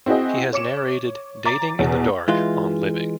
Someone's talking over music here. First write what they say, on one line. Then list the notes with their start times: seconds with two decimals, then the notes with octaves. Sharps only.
He has narrated "Dating in the Dark" on Living.
0.06 C4 E4 F#4 G#4 D#5
0.53 C#5 D6 C#7 E7
1.45 A#5 D6 A6
1.79 E2 B2
2.28 E3 G#3 F4